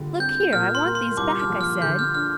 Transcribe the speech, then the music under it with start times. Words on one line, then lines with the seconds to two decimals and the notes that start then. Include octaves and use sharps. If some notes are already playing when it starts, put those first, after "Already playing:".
'Look here, I want these back,' I said.
Already playing: D3 G3 F4
0.19 C4 G6
0.53 A#2 F6
0.75 C6
0.85 A#3
0.95 C6
1.17 C2 D6
1.40 F6
1.50 F3
1.61 F6
1.82 D3 G6
1.99 F6
2.14 D4 F6